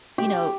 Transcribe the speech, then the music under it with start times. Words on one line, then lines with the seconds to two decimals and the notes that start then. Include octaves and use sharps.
you know,
0.18 G4